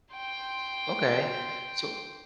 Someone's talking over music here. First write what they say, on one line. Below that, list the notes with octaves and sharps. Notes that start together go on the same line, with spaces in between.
Okay. So
G5 C6